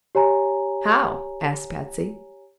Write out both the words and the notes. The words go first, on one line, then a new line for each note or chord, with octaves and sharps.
"How?" asked Patsy.
G4 C#5 G#5 A#5